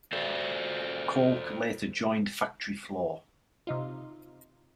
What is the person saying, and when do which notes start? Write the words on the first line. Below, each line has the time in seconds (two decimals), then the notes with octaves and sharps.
Colk later joined Factory Floor.
0.13 A4 C5 D5
3.67 C3 D#4 F4